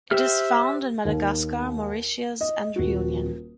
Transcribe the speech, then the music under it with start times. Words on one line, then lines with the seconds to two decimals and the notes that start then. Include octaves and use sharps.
It is found in Madagascar, Mauritius and Reunion.
0.11 G4 C5 E5 F6
1.05 D#2
2.41 D#5
2.76 D#1 F#4